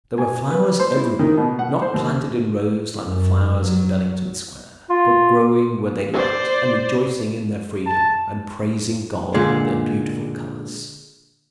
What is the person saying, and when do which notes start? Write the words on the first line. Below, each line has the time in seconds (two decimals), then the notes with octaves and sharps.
There were flowers everywhere, not planted in rows like the flowers in Bellington Square, but growing where they liked, and rejoicing in their freedom and praising God with their beautiful colours.
0.18 G#5
0.50 B4
0.80 C5
0.96 E4
1.19 D#3
1.37 B2
1.59 F#5
1.82 C5
1.94 D#2
3.01 F#2
3.63 F#3
4.90 F4
6.14 C5 D5
7.86 A5
9.34 A#2 D3 G#3